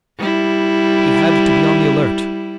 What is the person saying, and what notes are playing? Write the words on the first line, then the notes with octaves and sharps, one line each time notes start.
He had to be on the alert.
G3 E4